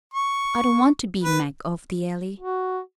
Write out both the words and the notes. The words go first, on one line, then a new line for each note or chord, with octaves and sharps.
I don't want to be Mag of the Alley.
C#6
B4
F#4